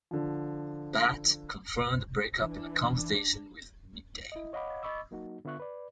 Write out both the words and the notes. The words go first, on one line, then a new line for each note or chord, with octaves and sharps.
Bhatt confirmed the break-up in a conversation with "Mid-Day".
D3 F3
E3 D4
E4 D#5
C#5 D#5 F5 F#5 B5 D6
D#5 B5 C#6 D6 E6
F#3 A#3 D#4 F#4
D3 B3 F4 E5 C#6 F#6
B4 D5